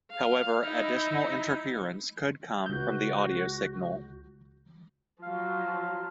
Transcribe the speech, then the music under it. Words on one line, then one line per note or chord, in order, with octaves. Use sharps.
However, additional interference could come from the audio signal.
F5
D#4 E4
C#2 F#4 G6
F3 F#3 F5